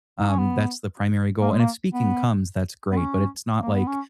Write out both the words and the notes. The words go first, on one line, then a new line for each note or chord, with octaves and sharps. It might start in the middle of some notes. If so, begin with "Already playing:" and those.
um, that's the primary goal, and if speaking comes, that's great, but it's not, like
D#4
C#4
B3
A#3
G#3
A#3
B3
B3
C#4
A#3
B3
C#4